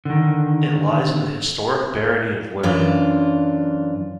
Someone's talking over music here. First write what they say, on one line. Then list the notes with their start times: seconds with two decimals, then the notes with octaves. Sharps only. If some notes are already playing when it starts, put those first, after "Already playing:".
It lies in the historic barony of Lurg.
0.05 D3 D#3
2.63 F#2 E3 D4 F4